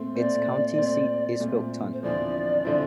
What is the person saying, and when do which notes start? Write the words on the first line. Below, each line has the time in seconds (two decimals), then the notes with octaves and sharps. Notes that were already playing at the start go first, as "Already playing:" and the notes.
Its county seat is Faulkton.
Already playing: A#2 A3 C4
0.16 A#2 A3 C4 D5
0.78 A#2 A3 C4
1.40 A#2 A3 C4
1.93 C5
2.03 E2 D3 F3 C4 E4 D5
2.65 D3 F3 C4 E4